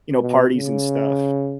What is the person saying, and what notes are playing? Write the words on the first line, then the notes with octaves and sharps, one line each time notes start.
you know, parties and stuff.
B2
C#3